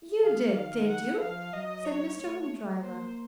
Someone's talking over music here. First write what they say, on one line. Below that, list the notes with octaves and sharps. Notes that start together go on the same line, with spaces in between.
"You did, did you?" said Mr. Hoopdriver.
D#3 F5
F5
F#5
F3 F5
F#3 D#5
C#5
A3 C#5
A#3 C5